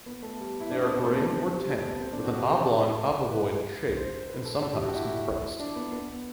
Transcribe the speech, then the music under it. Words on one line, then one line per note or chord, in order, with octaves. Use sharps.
They are gray or tan with an oblong obovoid shape and sometimes compressed.
B3
A3
G3
E4
D4
C4
B3
A3
A3
C4
G3
A3
B3
C4
D4
F#4
G4
A4
B4
C5
B4
A4
A4
G4
F#4
E4
D4
B3
B3